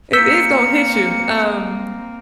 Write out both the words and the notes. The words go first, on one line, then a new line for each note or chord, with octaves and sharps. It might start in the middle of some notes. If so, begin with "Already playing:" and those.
It it's gonna hit you, um,
A#3 C4 E6 G6 B6 C#7